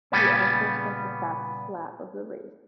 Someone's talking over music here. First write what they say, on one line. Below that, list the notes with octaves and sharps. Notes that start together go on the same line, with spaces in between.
He also set the fastest lap of the race.
A#2 C#3 F3 G3 B3 C#4